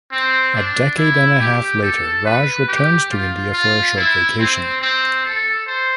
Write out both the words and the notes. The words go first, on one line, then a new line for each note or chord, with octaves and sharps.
A decade and a half later, Raj returns to India for a short vacation.
C4
D4
E4
G4
A4
B4
G4
F4
F4
E4
C4
C4
A4
C5